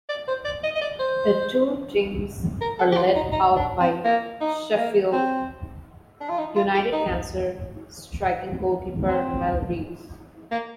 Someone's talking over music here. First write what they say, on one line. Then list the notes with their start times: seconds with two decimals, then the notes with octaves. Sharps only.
The two teams are led out by Sheffield United's cancer-stricken goalkeeper Mel Rees.
0.09 D5
0.28 C5
0.45 D5
0.64 D#5
0.76 D#5
0.81 D5
0.99 C5
2.61 A#4
2.79 A4
2.92 G4
2.97 F4
3.15 D#4
3.32 D#4
3.56 D4
3.80 C4
4.05 A#3
4.41 D#4
4.77 A#3
5.12 C4
6.21 D4
6.29 F4
6.38 D#4
6.56 F4
6.74 G4
6.93 D#4
9.08 C4
10.51 A#3